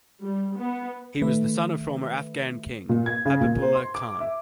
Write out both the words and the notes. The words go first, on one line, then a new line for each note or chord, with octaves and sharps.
He was the son of former Afghan King, Habibullah Khan.
G3
B3
D#3 A3 B4 E5
A#2
G#6
C#3
A#2
C5
C6
D6
E5